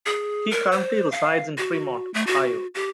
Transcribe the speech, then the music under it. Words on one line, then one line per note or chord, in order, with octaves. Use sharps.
He currently resides in Fremont, Ohio.
G#4
A#4
C5
F5
F#4
A3
F#4
G4